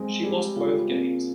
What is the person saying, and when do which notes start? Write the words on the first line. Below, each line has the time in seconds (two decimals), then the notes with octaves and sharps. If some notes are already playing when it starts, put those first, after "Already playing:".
She lost both games.
Already playing: G#3 C4
0.23 G3 G#4
0.56 C#3 F4
0.88 A#3 C4